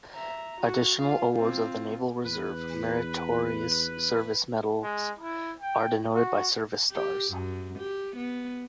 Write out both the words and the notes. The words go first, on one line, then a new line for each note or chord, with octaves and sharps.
Additional awards of the Naval Reserve Meritorious Service Medal are denoted by service stars.
E5 A#5
F#4
F4 F5
C4 F4
E2 B4
G#3
E4
G5
F#4
G4
F#2
G4
B3